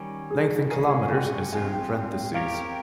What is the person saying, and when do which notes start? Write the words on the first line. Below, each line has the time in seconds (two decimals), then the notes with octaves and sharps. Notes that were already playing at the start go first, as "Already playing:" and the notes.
Length in kilometers is in parentheses.
Already playing: D#3 G3 C#4
0.30 G#4
0.71 F3 G#3 C#4 G#4 A#4
0.92 F5
1.12 G5
1.53 G#3 C4 F4 G#5
1.73 G5
1.94 G5
2.34 C4 G4 A#4 C#5 F5